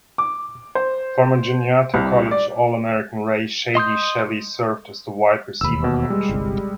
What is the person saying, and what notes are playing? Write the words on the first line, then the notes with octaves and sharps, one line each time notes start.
Former Juniata College All-American Ray "Shady" Shelley served as the wide receiver coach.
D6
C5
C2
D5
D#5 C6 D#6 G6
E1 D#2 B5 E6
B2
G3 G#3
G1 C2